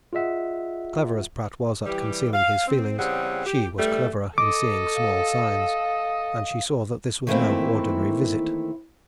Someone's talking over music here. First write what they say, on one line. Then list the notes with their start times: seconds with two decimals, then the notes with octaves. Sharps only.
Clever as Pratt was at concealing his feelings, she was cleverer in seeing small signs, and she saw that this was no ordinary visit.
0.13 F4 G#4 D#5 E5 F#5
1.86 E3 G3 G4
2.34 F5
2.68 C4
2.99 E2 C#3 G3 C4 G#4 F#5
3.46 G4
3.79 E2 G2 G3 A3
4.38 A4 D#5 D6
4.95 F5
7.27 D#3 E3 A3 A#3 C4 E4